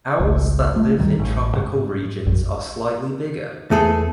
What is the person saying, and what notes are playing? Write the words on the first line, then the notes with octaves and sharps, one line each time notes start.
Owls that live in tropical regions are slightly bigger.
G#1 C#2
A3
D2 G#2 D#3 G3
A1
G#2
A#1 F#2
E2 A3 G#4 A4